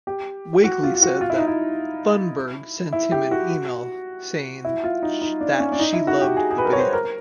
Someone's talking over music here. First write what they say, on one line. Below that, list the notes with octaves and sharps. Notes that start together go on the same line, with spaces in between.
Wakely said that Thunberg sent him an email saying that she loved the video.
G4
F#4
F4
F4
F#4
F4
E4
D#4
E4
E4
G4
F#4
E4
F4
D#4
D#4
D4
C#4
D4
D#4
E4
F#4
G4
G#4
G#4
B4
A#4
C#5
C5
A#4